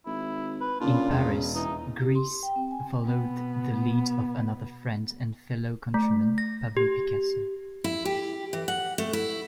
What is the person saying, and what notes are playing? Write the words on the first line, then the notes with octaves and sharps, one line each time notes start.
In Paris, Gris followed the lead of another friend and fellow countryman, Pablo Picasso.
G#1 E4
B4
A#2 C#3 D4 F4
E1 C#3
E3 D#4
G4
C6
G5
C4
G#5
B2 B3
A3
A#6
G4
E4
G4
E3
F#5
A3
E4